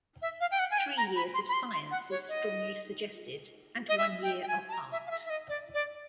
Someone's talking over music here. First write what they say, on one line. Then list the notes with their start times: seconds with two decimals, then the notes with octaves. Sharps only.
Three years of science is strongly suggested, and one year of art.
0.22 E5
0.41 F5
0.51 G5
0.59 F#5
0.71 G#5
0.78 G5
0.97 A#5
1.16 B5
1.34 C6
1.49 B5
1.53 C6
1.73 C6
1.91 F#5
2.11 C#5
2.29 D#5
3.89 D#5
3.98 E5
4.23 G5
4.42 G5
4.48 G#5
4.69 A5
4.73 A#5
4.92 E5
5.07 F5
5.11 E5
5.26 E5
5.30 D#5
5.49 D5
5.74 D5